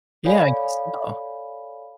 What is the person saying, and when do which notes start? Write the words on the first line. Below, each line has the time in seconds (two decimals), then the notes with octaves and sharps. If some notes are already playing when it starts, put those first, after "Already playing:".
Yeah, I guess so.
0.25 A4 C#5 D5 F5 G#5 B5